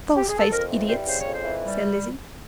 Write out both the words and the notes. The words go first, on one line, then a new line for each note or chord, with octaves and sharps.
"False-faced idiots!" said Lizzie.
G4
G#4
A4
F2 A#4
E3
G3 C5
C#3 C5
C#5
F2
C5
E3
G3